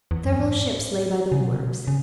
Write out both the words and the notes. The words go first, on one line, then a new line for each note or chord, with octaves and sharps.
Several ships lay by the wharves.
E2
F#2
G#2
A2
C#3
B2
C#3